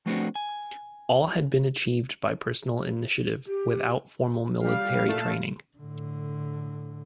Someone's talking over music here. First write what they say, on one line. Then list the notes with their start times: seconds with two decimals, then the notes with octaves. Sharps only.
All had been achieved by personal initiative, without formal military training.
0.06 F3 A3 B3 C4 D4 F#4
0.35 G#5
3.46 G4
4.64 G3 F5
5.07 A#2 A3 A5
5.78 A2 D3